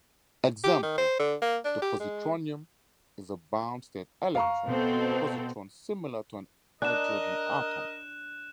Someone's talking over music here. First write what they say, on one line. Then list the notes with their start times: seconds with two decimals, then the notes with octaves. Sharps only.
Example: the "positronium" is a bound state electron-positron similar to an hydrogen atom.
0.64 G4
0.83 D#3
0.98 C5
1.20 D3
1.42 A#3
1.65 D4
1.82 G4
2.00 G#3
4.35 F5 A#5 C#6
4.67 B2 C4 A4
6.82 D4 A#4 D#5 F#6 E7